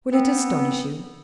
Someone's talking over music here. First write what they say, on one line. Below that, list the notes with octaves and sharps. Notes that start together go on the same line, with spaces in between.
Will it astonish you?
B3 C4